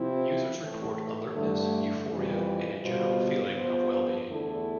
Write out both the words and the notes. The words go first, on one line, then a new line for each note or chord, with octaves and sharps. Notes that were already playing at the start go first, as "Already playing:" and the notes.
Users report alertness, euphoria and a general feeling of well being.
Already playing: C3 F3 C4 E4
A2 E3 A3
G2 D3 A3
F2 E3 G3
B2 G3 B3 F4 C5
F3 B3 F4 C5
E2 D3 A3 E4 A4